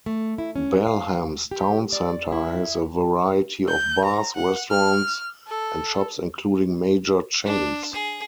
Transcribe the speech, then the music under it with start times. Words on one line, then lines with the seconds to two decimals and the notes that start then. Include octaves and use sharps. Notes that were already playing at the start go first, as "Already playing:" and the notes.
Balham's town centre has a variety of bars, restaurants and shops including major chains.
0.06 A3
0.38 E4
0.56 C#4
0.87 F5
1.51 G4
1.93 D5
2.32 E4
3.67 G6
4.04 A#5
4.36 F#5
4.70 F6
5.47 A4
7.46 D4
7.93 G#4